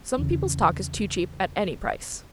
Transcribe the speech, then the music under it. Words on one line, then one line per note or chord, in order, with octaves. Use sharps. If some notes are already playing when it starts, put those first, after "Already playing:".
Some people's talk is too cheap at any price.
E2 C#3